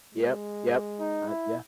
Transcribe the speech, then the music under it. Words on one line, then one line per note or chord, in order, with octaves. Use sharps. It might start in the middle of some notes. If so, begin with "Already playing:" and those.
Yep, yep. I yeah.
G#3
D#4
E4